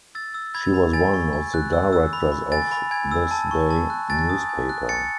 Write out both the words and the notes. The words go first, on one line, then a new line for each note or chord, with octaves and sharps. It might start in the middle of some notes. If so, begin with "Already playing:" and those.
She was one of the directors of Thisday Newspaper.
E6 A6
E6
B5 G#6
B5
G#5 A6
C#6
G#5
F#6
E6
E6
B5
B5
G#5 A6
B5
G#5 G#6
E6
A5
C#6
A5
F#6
G#5 A6
D#6
G#5
F#6
G#5 A6 C#7